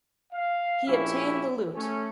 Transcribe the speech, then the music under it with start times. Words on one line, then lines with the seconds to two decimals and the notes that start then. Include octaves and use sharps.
He obtained the Lieut.
0.33 F5
0.88 A#1 C#4 E4 G4 E5
1.76 A3 C#4